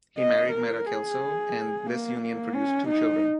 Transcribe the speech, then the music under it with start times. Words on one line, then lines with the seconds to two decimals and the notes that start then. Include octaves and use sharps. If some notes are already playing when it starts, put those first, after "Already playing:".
He married Meda Kelso and this union produced two children.
0.19 D#5
0.52 A#4
0.86 G#4
1.87 A#3
2.21 A#3
2.55 C#4
2.88 D#4